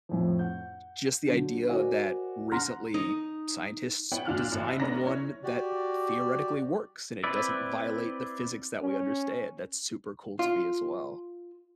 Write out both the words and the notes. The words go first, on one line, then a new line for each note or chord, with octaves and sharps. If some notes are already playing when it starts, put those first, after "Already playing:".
just the idea that recently scientists designed one that theoretically works, and it doesn't violate the physics that we understand, that's super cool to me, as well.
F2 A2 F3
F#5 G6
D3 F#3
F#4 A#4 C5 D5 D#5 G#5
F#5 A#5 C6 F6 F#6 A#6
D#4
B3 E4 C#5 F#5 G5
D2 D4 F4 F6 F#6
A1
E5
A3 B3 C#4 D4 A#5 A#6
C#4 E4 C#5
F#4 G4 D5
C4 E4 B4 D5 E5
C#4
F4